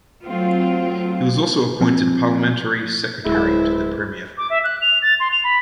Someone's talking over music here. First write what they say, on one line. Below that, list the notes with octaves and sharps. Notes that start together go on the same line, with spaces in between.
He was also appointed Parliamentary Secretary to the Premier.
F#3 A3 C4 F4
F3 C4
D1 G#3 E4
D6
E5
F#6
F7
A6
C6
F7
B5